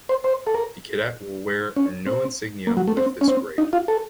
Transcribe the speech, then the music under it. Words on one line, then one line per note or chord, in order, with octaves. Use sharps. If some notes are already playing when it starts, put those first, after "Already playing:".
The cadet will wear no insignia with this grade.
C5
C5
A4
A#4
C#4
C4
A#3
F#3
A3
C4
C#4
C4
D#4
F4
A4